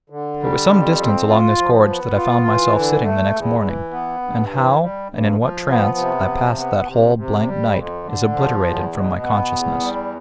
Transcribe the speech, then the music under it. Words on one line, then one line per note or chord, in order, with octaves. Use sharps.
It was some distance along this gorge that I found myself sitting the next morning: and how, and in what trance, I passed that whole blank night is obliterated from my consciousness.
D3
G3
F2
C4
F4
F3
B3
F4
E3
D3
A3
E2
E3
B3
G2
E3
G3
G2
F3
B3
C3
F3
B3
C3
C3
G3
F2
D3
F3
E2
B2
B3
E2
G3